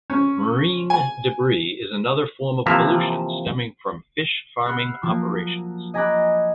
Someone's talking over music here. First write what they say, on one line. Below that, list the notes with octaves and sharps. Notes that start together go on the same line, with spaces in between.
Marine debris is another form of pollution stemming from fish farming operations.
C#4
G#5
C3 E3 F3 A#3 E5 A#5
F#5 B5 E6 F6 C7 C#7
F3 F#3 A#3
D#5 G#5 A#5 B5 D6 F#6